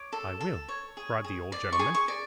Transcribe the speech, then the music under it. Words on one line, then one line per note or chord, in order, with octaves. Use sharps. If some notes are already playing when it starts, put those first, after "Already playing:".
'I will!' cried the old gentleman.
Already playing: C#5 D6
A4
A4
C#5
G#4
G#4
D5
C#6
G#4
C#6
D5